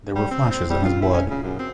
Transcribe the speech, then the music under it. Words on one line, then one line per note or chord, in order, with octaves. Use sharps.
There were flashes in his blood.
G3
C4
C4
G3
F4
E4
C#4
C#3
F#2
C4